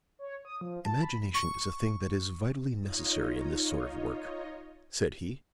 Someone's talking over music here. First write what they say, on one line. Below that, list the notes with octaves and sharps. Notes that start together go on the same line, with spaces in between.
"Imagination is a thing that is vitally necessary in this sort of work," said he.
C#5
D#6
F3
A5
B5
C#6
D#4 F4 C#5 D#5